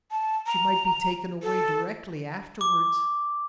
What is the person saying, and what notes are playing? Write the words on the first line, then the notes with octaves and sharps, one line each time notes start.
She might be taken away directly afterwards.
A5
A#5
A4
D6